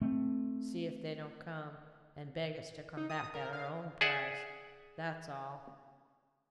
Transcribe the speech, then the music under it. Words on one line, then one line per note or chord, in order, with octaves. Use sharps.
See if they don't come, and beg us to come back at our own price. That's all.
A3 C4
D#4
D#6
A#4
F5
G#4 D5 E5 F#5